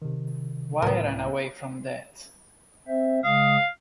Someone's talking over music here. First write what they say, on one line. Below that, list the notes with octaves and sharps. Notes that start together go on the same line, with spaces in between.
Why run away from that?
C3 D#3
C#2 A2 B3 A#4
C4 C5 E5
C#3 G#3 F5 D#6